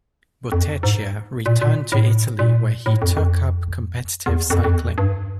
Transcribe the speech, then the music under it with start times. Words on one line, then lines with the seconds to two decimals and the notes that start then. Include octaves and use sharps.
Bottecchia returned to Italy where he took up competitive cycling.
0.52 F2
0.83 G#2
1.46 A#2
1.62 A#2
1.92 A2
2.39 A#2
2.86 A2
3.02 F2
3.17 F2
4.26 E2
4.50 F2
4.64 F2
4.74 E2
4.98 G2